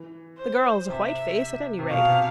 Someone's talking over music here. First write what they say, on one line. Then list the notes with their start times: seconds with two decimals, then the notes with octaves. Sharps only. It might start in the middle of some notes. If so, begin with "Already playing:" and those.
The girl's a white face at any rate.
Already playing: E3
0.38 C5
0.89 C3 E5
1.79 C3
1.90 B2 F5
2.08 C3